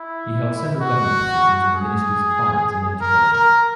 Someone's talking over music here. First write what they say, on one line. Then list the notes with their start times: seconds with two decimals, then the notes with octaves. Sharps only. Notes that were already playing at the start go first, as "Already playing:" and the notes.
He held several government positions in the Ministries of Finance and Education.
Already playing: E4
0.81 F#4
1.75 G#4
3.01 A#4
3.33 A#4